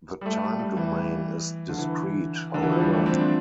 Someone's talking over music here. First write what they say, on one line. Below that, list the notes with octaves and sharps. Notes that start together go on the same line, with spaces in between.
The time domain is discrete, however.
G3
A3
G3
G3
E3
D3
E3
D3
E3
F3
G3
A3
C4
D4